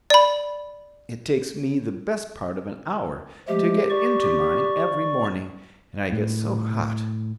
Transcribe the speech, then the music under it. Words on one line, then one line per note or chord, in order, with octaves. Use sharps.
It takes me the best part of an hour to get into mine every morning, and I get so hot!
D5 B5
F3 G#3 A3 G4
D5 C#6
A2